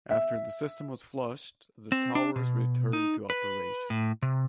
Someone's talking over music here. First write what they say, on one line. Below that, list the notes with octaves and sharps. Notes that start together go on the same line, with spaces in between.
After the system was flushed the towers returned to operation.
E5
C4
D4
B2
D#4
B4
A2
C3